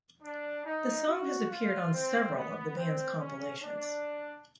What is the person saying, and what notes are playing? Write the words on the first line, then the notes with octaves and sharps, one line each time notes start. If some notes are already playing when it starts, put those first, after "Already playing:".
The song has appeared on several of the band's compilations.
D4
D#4
F#4
F4
C4
B3
C4
C#4
D4